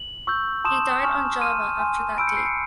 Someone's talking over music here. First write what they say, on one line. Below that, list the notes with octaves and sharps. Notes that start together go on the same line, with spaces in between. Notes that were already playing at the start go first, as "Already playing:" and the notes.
He died on Java after that date.
Already playing: F#7
C#6 E6 G6
A5 C6 D#6 E7
G#5 C#6 F6
C6 F6 D#7
G#5 C6 F6
B5 E6 G6 D7
C#7
C7
C#7